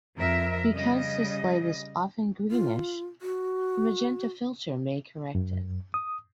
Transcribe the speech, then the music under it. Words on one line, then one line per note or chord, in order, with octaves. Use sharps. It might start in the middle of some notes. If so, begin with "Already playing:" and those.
Because this light is often greenish, a magenta filter may correct it.
F2 A#4 E5
C#3 G3 D#5
F4
F#4
F#2
D#6